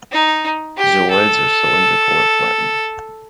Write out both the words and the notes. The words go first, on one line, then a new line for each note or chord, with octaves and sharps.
Zooids are cylindrical or flattened.
D#4
G4
A4